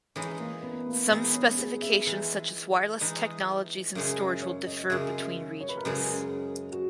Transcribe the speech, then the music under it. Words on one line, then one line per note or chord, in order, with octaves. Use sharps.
Some specifications such as wireless technologies and storage will differ between regions.
E3 G#3 C#4 D#4
A#3
B3
A#3
E3 G#3 B3 D#4
C#4
G#4
E5
E3 G#3 D#4
E3 G#3 D#4
F#2 C#3 G#3 E5
C#5
D#5
F#2 C#3 G#3 E5
C#5
B4
A#4
F#2 C#3 G#3 G#4
F#4